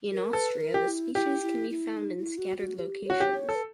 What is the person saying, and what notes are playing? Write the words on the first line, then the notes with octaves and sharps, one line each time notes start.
In Austria, the species can be found in scattered locations.
A#4
A4 B4
A#4
G4
E4
E4 G4
E4
E4
D#4
E4
F#4
F#4
G4
F#4 C#5
G4
C#5
A4
B4